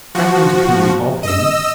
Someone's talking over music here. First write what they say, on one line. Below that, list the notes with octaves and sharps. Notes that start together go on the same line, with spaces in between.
Franklin's Opinion of him.
F3 F#4
D#5 E6